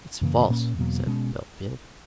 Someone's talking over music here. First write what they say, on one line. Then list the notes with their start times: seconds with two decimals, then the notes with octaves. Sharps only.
"It's false," said Bellfield.
0.21 F#2 C#3 E3 A#3
0.50 A#2 A#3 C#4
0.78 E2 B2 F#3 A#3
1.07 B2 G#3 C#4